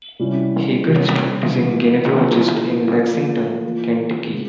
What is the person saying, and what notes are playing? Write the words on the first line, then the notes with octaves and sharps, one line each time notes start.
Hager is a practicing gynecologist in Lexington, Kentucky.
C3 G3 C#4 E4 G4
C3 G3 C#4 G4
E3 G#3 E4 G4
F3 A#3 C#4 E4
F3 A#3 F4
E3 A#3 F4
C#3 F3 G#3